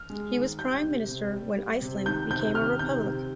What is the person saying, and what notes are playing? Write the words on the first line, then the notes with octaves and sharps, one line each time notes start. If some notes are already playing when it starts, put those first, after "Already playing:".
He was prime minister when Iceland became a republic.
Already playing: F6
G#3
D#3
G3 G6
C3
C3
G3
G3
C3
D#3 G6
C3 G6
D#3 F6
C3 G6
C3